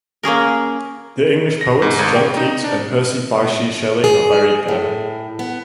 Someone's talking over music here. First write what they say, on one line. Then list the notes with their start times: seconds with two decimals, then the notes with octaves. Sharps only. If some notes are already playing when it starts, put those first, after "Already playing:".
The English poets John Keats and Percy Bysshe Shelley are buried there.
0.23 A#3 C#4 G#4 A#4
1.61 A#6
1.82 G#2
1.99 G#1
2.16 G5
2.37 D#4
2.64 D4
4.04 G#4
4.68 A2
5.39 B3